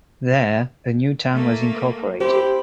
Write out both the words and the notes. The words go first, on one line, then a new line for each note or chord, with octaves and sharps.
There, a new town was incorporated.
A3 A#3
E4 G4 C5